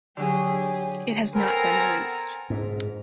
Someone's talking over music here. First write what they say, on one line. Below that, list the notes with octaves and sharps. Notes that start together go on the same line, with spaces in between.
It has not been released.
D3 F#3 G4 G#4
B3 C4 A4 A#4 G#5 A#5
G#2